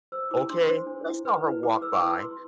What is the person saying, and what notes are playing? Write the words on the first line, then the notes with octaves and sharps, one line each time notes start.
okay, that's not her walk by
C5 E6
E4 D6
D4 C6
C5
D4
E4
B4
E4
E4 D6
D6
B4 E6
E4 D6
E4 C6